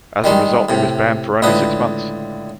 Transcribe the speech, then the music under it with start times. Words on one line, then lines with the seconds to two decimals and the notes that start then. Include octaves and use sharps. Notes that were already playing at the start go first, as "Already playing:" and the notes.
As a result he was banned for only six months.
0.24 D#3 G3 G#3
0.69 A2 C3
1.42 C#2 A2 D3 B4 D#6